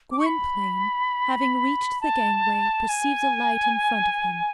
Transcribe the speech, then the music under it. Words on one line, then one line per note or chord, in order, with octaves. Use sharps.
Gwynplaine, having reached the gangway, perceived a light in front of him.
D6
C#6
B5
A5
G#5